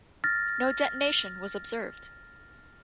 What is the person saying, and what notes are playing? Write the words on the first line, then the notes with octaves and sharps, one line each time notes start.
No detonation was observed.
F6 A6 A#6